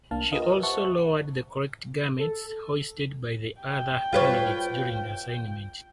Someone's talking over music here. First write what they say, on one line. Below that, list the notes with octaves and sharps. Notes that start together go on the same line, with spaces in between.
She also lowered the correct garments hoisted by the other candidates during the assignment.
C2 A#3 D4 F5 A5
F4 G4 A#4 B4 D#5 F5
C5 E5 F#5 A5 C#6
A4
G5
F4 B4 C#5